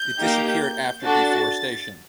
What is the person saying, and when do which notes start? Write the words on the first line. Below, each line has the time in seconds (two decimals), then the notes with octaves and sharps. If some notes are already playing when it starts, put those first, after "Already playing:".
It disappeared after deforestation.
Already playing: G6
0.20 A#3 D#4 G4
1.04 D4 F#4 A4 A6